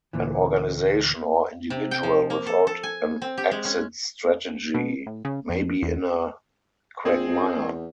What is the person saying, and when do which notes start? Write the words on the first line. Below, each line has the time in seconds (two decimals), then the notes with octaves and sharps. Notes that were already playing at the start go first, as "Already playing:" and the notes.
An organisation or individual without an exit strategy may be in a quagmire.
0.13 D2 A#2 E3
1.70 C3
1.91 G5
2.03 F3
2.30 A#3
2.46 A4
2.67 A4
2.83 G#5
3.22 C4
3.38 G4
3.51 G#3
3.65 C#4
4.74 B2
5.07 A2
5.25 C#3
5.49 F2
5.82 E2
7.05 A#1 C4 G#4
7.28 F2
7.57 E2